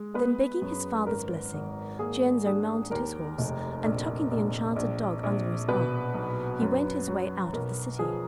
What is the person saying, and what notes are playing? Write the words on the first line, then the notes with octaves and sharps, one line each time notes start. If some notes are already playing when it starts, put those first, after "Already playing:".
Then begging his father's blessing, Cienzo mounted his horse, and tucking the enchanted dog under his arm, he went his way out of the city.
Already playing: G#3
B3 B4
F#2
G#1 A#4
G#1
A#3 G#4
D4 G#4
D#2 A#4
F1
A#1
A#1
A#1
A#1
B2 B4
B1
F#2
F#3
B1 A#4
F3 G#4